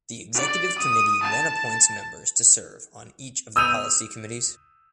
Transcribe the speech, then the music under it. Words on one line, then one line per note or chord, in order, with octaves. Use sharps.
The Executive Committee then appoints members to serve on each of the policy committees.
D5
D#6
A5
D#6 E6 G6 D#7 F7